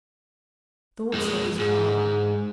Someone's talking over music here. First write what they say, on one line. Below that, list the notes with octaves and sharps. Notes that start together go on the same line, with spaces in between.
Thoughts of His Clara.
F2 G#3
G#2 G#4